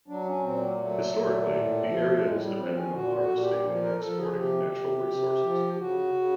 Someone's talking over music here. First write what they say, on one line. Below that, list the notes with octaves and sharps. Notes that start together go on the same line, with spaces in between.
Historically the area is dependent on harvesting and exporting natural resources.
F#3 D4
C#4
A#2 C4
A#3
F#3 A3
A#2
A2
F3
A2 G#3
G3
F3 C4
C#4
A#2 F#4
F4
F#4
A#2
G4
F3
A#4
F3 A4
G#4
C3 G4
C3
C3
F3
G4
C#3 F#4
C#3